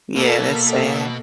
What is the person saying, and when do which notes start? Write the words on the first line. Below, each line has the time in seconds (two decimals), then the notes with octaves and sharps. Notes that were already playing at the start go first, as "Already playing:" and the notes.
Yeah, that's sad.
0.16 B2 A#3 A4 B6